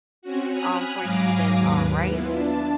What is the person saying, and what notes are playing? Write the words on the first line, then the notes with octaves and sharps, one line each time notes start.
um, for you than, uh, rice,
C4 C#4 F#4
G#5 B5 D#6 F6 F#6
G#2 F#3 F5 G#5 D6 A#6
D#2 B4
B3 E4 F4
D4 A5